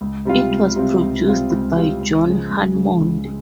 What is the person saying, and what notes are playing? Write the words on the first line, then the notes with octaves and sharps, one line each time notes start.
It was produced by John Hammond.
C#2
C3 G3 C4 F4
C#2
C3 G3 C4 F4
C#2
C3 G3 C4 F4
C#2
C3 G3 C4 F4
C#2
C#3 F3 G#3
C#2
C#3 F3 G#3
C#2
G#3